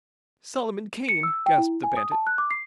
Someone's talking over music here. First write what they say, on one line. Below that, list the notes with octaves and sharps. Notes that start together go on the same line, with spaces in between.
"Solomon Kane!" gasped the bandit.
C#7
E6
G5
E4
G#5
D#6
A5
F#6
D6
C7